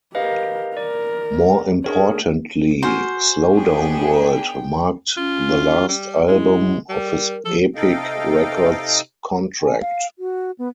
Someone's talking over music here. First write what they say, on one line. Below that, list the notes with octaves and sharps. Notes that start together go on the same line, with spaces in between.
More importantly, "Slow Down World" marked the last album of his Epic Records contract.
G4 A#4 B4 D#5 F5
A#4 D5
D4 G#4 A#4 C#5
F#4 C5 G#5 F6
B3 D4 G#4 G5
C#4 F4
G3
G#3 E4
G3 A#4
F3 A4
C3 D#4 A4 D#5 F5 G5
G#5
F5
F#4
B3